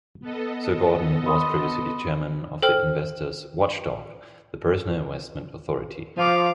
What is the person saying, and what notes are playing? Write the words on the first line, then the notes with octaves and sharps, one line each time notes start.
Sir Gordon was previously chairman of the investors' "watchdog", the Personal Investment Authority.
B3 A4 D#5
B5 C6 D#6
A4 C5 G5 F6
F3 F5 D6